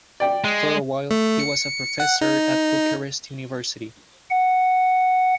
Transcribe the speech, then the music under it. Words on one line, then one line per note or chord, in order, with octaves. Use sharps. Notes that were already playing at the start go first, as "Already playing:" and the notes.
For a while, he was a professor at Bucharest University.
D5 G5
G#3
A3
C#7
F#5
D#4
F#5